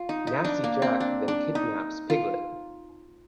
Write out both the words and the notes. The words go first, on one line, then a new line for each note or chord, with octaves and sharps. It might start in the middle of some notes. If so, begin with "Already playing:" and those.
Nasty Jack then kidnaps Piglet.
Already playing: F4
D#4
D#4
D4
A#3
C4
D4
D4
D#4
F4